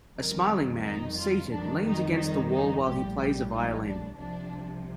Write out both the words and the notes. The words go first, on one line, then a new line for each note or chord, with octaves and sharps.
A smiling man, seated, leans against the wall while he plays a violin.
F2 D#3 G3 A#4
D#4
F4
F2 D#3 G3 D4
D#4
D#4
D#4
A#1 A2 G3 G4
G4
D#4
D4
C2 C3 F3 D4